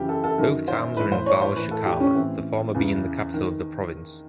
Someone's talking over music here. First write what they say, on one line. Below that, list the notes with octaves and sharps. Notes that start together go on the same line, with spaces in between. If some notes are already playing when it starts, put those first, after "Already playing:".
Both towns are in Valle Chicama, the former being the capital of the province.
Already playing: F#2 C#3 E3 G4
A4
A4
F#2 D#3
C5
A2 E3 B4
C5
C#5
C5
A2 E3 B4
A4
G4
C#4
A2 E3 C4
E2 C#3 E3
D#3